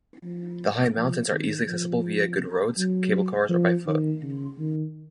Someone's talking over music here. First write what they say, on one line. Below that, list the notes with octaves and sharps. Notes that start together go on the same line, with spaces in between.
The high mountains are easily accessible via good roads, cable cars or by foot.
F3
F3
D#3
F3
F#3
F3
D#3
C#3
D#3